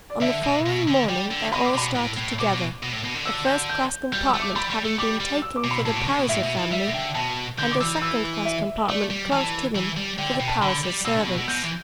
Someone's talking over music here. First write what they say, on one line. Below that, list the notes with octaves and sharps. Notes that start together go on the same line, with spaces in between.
On the following morning they all started together, a first-class compartment having been taken for the Palliser family, and a second-class compartment close to them for the Palliser servants.
D5
D3 E5
B2
B2
D3
G3 G5
D3
B2 B5
D6
B2 B5
A2
A2
B2 D6
B2
B2
A2
B2
D3
E6
G6
G6
G3 G6
E6
A3
D6
G3 B5
G3
A3
G3 D6
G3
E6
D6
B2
B5
A2 A5
B2
D3
B2
A2 E5
B2
E3
G3 E5
B2
D3 G5
B2 A5
D3 G6
D6
E3 E6
E6
E5
A3 D5
G3
E3 A5
E3
G3
D3 G5
G5
B2
A5
D3 B5
G3
B2 E6
D3
B2
B2
B2 G6
E3